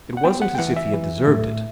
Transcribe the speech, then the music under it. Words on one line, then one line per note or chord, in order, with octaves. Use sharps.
It wasn't as if he had deserved it.
F#5
B3 G5
F#5
G5
E3 F#5
E5
E3
A2